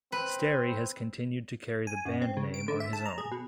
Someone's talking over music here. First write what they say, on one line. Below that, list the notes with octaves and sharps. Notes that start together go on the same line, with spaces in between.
Sterry has continued to carry the band name on his own.
C4 B4
G#5
F#2
C4
C#3
D7
D3
E5
A5
A#5
G#4
B2